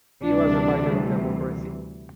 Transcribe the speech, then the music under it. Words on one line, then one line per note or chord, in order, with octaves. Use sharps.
He was a fighter of democracy.
D2 C3 E3 G3 D4